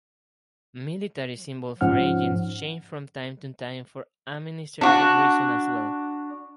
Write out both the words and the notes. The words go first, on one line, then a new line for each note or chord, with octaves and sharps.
Military symbols for agents change from time to time for administrative reasons as well.
G#2 F3 C#4 F#5 F6
D4 F#4